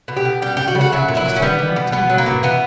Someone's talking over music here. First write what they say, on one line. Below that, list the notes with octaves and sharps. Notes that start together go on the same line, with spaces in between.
"It might come just when you wanted to be happy!"
B2
G4
B2
G3 G4
G3 G4
F#4
C#3
F#4
F#3 E4
A#2
E4
F#3
C#4
G3 B3
G3
B2
B2 B3
F#3
A#3
B2
E3 B3